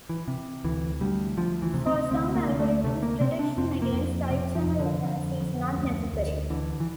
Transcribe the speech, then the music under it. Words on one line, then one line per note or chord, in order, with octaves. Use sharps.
For some algorithms protection against side-channel attacks is not necessary.
E3
C3
D2 E3
D2 G3
D2 F3
E3
C3
C4
D2 C4
A#3
D2
A3
C3 A3
A#3
C3 C4
D4
F2 C4
A#3
F2
C3
F3
F2
D3
F2
F2
D2
D2
D3 E3
E3